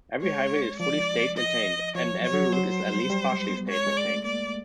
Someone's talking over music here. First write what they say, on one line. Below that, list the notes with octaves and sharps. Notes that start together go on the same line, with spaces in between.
Every highway is fully state-maintained, and every route is at least partially state-maintained.
G#3 C#5
F3 D5
D#5
F3 C#5
F#3
C#5
F#3
F#3 C5
G3
G3
G#3
B3
G#3 C#5
G#3
D5
A3
A#3 D5